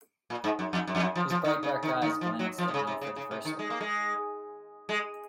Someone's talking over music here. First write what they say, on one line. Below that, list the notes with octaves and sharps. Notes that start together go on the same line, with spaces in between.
His bright dark eyes glanced at me for the first time.
A#2
G#2
F#2
F2
F#2
F2
F#2
F3
F3
D#3
C#3
D#3
D#3
F3
F#3
F3
C3
C#3
C3
C#3
C#3
C3
D#3
G#3
A#3
G#3
G#3